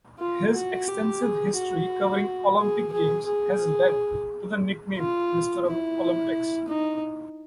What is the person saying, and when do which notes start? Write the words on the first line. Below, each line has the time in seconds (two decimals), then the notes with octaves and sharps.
His extensive history covering Olympic Games has led to the nickname "Mr Olympics".
0.19 F4
0.54 F#4
0.88 G4
1.22 G#4
1.56 F#4
2.58 G#4
2.93 G#4
3.26 G#4
4.98 F4
5.67 E4
6.68 D#4